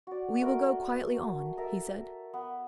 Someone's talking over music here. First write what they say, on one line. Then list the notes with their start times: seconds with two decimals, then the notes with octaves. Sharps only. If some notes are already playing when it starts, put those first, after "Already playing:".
"We will go quietly on," he said.
0.07 F#4 D5
0.42 A3 F#4 A#4
1.57 A4 A#4 E5 A#5
2.34 B3